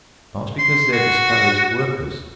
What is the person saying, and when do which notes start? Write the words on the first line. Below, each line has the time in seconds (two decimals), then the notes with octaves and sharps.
Not because they are discouraged workers.
0.59 C6
0.93 F#4